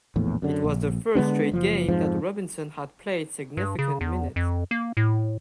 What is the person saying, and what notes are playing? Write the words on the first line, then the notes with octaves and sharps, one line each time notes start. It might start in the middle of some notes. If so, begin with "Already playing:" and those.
It was the third straight game that Robinson had played significant minutes.
A#1 E2 A2
F#2 D3
A#1
D3 G#3 B3 D4
F#1 F3
F2 G#2 F3
G2
C#3
E2
F2
A#3
A2